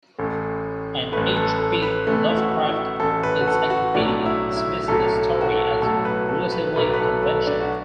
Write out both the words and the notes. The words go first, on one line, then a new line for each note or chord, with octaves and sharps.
"An H. P. Lovecraft Encyclopedia" dismisses the story as "relatively conventional".
A1 A2 A3
A1 A2 A3 B4
A4
A4
B4
A1 A2 A3
E4
F#4
E4
A1 A2 A3 A4
B4
F#4
A4
F#4
B1 A2 F#3 A3 D4
E4
E4
B1 A2 F#3 A3 A4
F#4
A4
B1 A2 F#3 A3 A4
B4
A4
B4
B1 A2 F#3 A3 B4
B4
A4
A4
D4
F#4